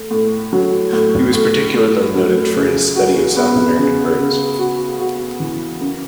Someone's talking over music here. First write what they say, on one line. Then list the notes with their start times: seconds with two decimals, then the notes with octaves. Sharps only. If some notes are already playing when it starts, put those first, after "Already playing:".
He was particularly noted for his study of South American birds.
Already playing: A3
0.11 A2
0.53 F#3
0.93 A2
1.33 A2
1.74 A2
2.15 F#3
2.56 C#3
2.96 F#4
3.36 B3
3.78 C#3
4.18 C#3
4.59 F#4
4.99 F#4
5.40 E3
5.81 F#2